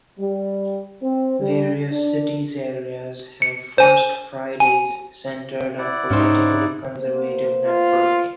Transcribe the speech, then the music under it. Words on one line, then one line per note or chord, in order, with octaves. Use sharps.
Various cities areas have First Fridays centered on politically conservative networking.
G3
C4
G3
D4
C#7
C5 G#5
G#5
E4 D5 F#5
G#2 C#4 D#4 C5
A#3 B3 C5
F4